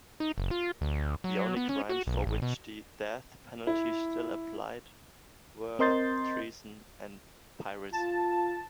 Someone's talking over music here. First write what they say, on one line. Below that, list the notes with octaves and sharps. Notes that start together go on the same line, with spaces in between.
The only crimes for which the death penalty still applied were treason and piracy.
D#4
F#1
F4
D2
F#3
B3
C#4
F#4
B1
A1
B2
E4
C4 A#4 D#5 C6 G6 A6
F4 A5